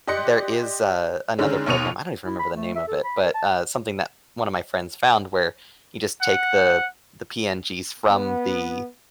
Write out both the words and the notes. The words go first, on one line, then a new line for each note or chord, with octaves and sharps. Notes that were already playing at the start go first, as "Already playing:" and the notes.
there is a another program- I don't even remember the name of it, but, uh, something that one of my friends found where, you just take the the PNGs from the
G4 D5 D#5 C6 F#6 C#7
D3 D#3 G#3 C#4
D#2 B2 C#6 C#7 D#7 F7
E4
B5
A3
E5
A4
B5
A#4
A5
F#5
B3